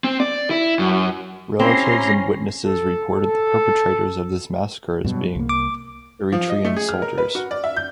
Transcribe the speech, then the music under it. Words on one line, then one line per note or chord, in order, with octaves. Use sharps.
Relatives and witnesses reported the perpetrators of this massacre as being Eritrean soldiers.
C4
D5
E4
F#2
C4 C#4 E4 G4 A#5 C6
A4
A4
G2 B2 F#3
C2 A#3
D6
F3
D#5
A3
G#4
F6
A#4
B4
F#4
D5
E5
G6